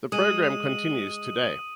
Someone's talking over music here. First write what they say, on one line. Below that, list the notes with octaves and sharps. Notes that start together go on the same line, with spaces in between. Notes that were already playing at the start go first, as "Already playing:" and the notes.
The program continues today.
G#3 D#6 D#7 F#7